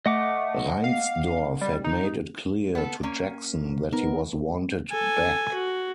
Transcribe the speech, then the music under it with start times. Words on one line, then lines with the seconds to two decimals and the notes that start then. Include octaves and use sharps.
Reinsdorf had made it clear to Jackson that he was wanted back.
0.06 A3 D#5 F#5 D6
0.84 F5
1.61 G3
1.84 D#4
2.75 B3 A4
3.03 A#3 C#4
3.92 B3 D#4 A#4
4.91 A4 G#5
5.53 F#4